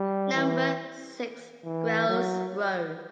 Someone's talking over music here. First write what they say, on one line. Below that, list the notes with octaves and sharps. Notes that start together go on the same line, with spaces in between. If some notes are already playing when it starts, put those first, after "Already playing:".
Number six, Greles road.
Already playing: G3
E3
E3
F#3